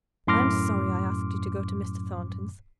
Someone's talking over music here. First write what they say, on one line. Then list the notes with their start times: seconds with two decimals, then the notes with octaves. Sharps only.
'I am sorry I asked you to go to Mr. Thornton's.
0.27 F#2 A2 C6 D6 F6 A#6